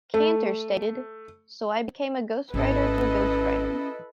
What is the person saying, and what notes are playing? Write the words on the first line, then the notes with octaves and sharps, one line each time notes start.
Kanter stated, So I became a ghostwriter to a ghostwriter.
A3
G#1 C#4 E4 A4 B4 D#5